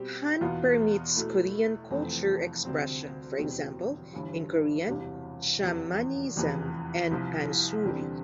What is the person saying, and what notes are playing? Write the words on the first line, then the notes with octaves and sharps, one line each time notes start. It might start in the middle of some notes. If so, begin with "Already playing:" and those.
"Han" permeates Korean cultural expression, for example, in Korean shamanism and Pansori.
Already playing: B2 G3 C4 G4
E2 B2 B3 F4
B2 A3 E4
F1 F2 E3 A3 C4
D2 C3 G3 C4
E1 E2 B2 G3 C4
G1 G2 E3
E1 E2 C3 G3
F1 E2 C3
F1 E2 C3 E3
C2 C3 F3
E2 D3 G3 C4